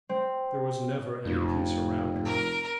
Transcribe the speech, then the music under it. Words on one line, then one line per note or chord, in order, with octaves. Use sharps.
There was never any peace around her.
C4
F1 F2
A#4